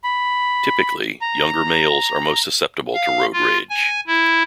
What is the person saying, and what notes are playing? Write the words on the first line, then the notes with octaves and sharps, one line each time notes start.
Typically, younger males are most susceptible to road rage.
B5
A#5
F5
F4
G#5
E4